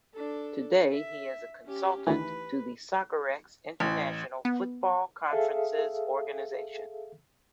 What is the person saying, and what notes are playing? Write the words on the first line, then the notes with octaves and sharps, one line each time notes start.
Today he is a consultant to the Soccerex international football conferences organisation.
D4 A4
E5
C#4 G4
D2 D#3 E3 B4
A1
B3
G#4 A4 E5 F5